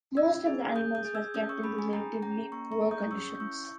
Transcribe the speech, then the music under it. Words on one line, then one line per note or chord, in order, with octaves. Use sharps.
Most of the animals were kept in relatively poor conditions.
C#4 E6 G#6
G#4
G#4 D#6 G6
D#6 G6
G#4
E6 G#6
C#4 D#6 G6
C#6 E6
G#4 B5 D#6
G#5 B5
G#4 G5 A#5
C#4 G5 A#5
A#3 A#5 C#6
A#5 C#6
G#4
D#6 G6
D#6
C#4 C#6 E6
G6
E4 C#6 E6